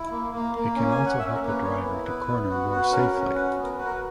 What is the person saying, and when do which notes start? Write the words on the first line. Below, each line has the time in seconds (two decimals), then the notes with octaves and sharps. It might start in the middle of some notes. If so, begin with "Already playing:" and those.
It can also help a driver to corner more safely.
Already playing: E4
0.11 A#3
0.33 A#3
0.55 A#3
0.76 C#4
0.91 G#5
0.98 C#4
1.06 F#5
1.19 C#4 E5
1.34 A#4
1.41 A#3
1.48 B4
1.63 B3 C#5
1.84 E4
2.05 B3 B4
2.28 B3
2.49 F#4
2.71 F#4
2.84 B4
2.92 C#4 A#4
3.13 C#4
3.35 F#4 B4
3.57 B3
3.64 A#4
3.78 F#4 B4
3.85 A#4
3.93 B4